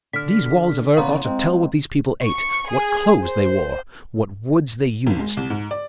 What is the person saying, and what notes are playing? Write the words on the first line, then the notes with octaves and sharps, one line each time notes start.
These walls of earth ought to tell what these people ate, what clothes they wore, what woods they used.
D3 F6 B6
E2 C#3 B3 F5 A#5 C6
G#3 C4
C#6
G#4
C5
G#1
G#3
C2
G#2
D5